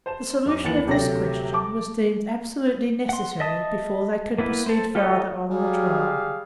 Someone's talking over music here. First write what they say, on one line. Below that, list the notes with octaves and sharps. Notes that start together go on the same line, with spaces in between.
The solution of this question was deemed absolutely necessary before they could proceed farther on the trial.
C5 A5 E7
F#2 D6
D#2 E3 B4 A6 C#7 F#7
D2 C3 F#3 A3 G4 A#6
A5 C#6 D6
F#5 C6
D#5 E5 A5 D#6
A#3 B3 E4 B4
A4 C5
F4 G4 A4 C#5 D#5
F#3 G3 G#4 F5